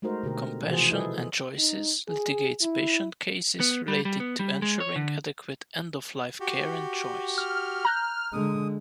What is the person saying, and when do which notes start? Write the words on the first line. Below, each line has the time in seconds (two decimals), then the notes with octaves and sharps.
Compassion and Choices litigates patient cases related to ensuring adequate end-of-life care and choice.
0.02 G#3 A3 D#4 F#4 A#4 C5
0.23 B2 D3 G4 A#4
0.68 C3 E3 F3 F#4 G#4 C5
0.91 E4 G#4 A4 B4 D#5
1.58 D#4
2.08 G#4
2.62 E4
3.60 B3
3.88 G3
4.05 G3
4.20 B3
4.39 G3
4.62 G#3
4.80 C#5
4.96 D3
6.40 F#4 G4
7.38 F6
7.85 A#5 F#6 G6
8.33 D3 G#3 D#6